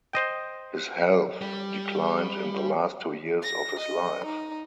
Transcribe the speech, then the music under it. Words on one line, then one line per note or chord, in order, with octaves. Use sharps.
His health declined in the last two years of his life.
C5 D#5 G5
G3
A#6
D#5
D#4